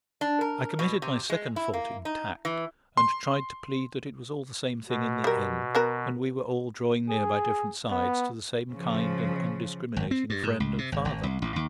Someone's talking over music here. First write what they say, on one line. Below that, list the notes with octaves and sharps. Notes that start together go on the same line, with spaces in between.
I committed my second fault in tact, and tried to plead that it was all the same thing in the end, and we were all drawing near by different sides to the same kind and undiscriminating Friend and Father.
D4
A#4
B2
C3
G#3
E4
A#3
D#4
E3
C6
B2
G3 A#4
B3 F#4 A#4
G#4
B3
C#3 F3
G#1
C4
G2
G#2
C#2
C3
G#1
G#1
C2
A1
D#2